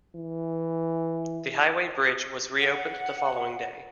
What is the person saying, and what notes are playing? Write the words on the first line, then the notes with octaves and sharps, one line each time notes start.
The highway bridge was reopened the following day.
E3
F#5